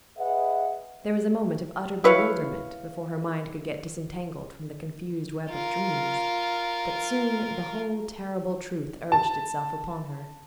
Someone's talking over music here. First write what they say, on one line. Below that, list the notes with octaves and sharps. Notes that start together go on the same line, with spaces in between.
There was a moment of utter bewilderment before her mind could get disentangled from the confused web of dreams; but soon the whole terrible truth urged itself upon her.
G#4 B4 D#5 E5 F#5
E4 B4 C#5 F5
F4 A#4
A5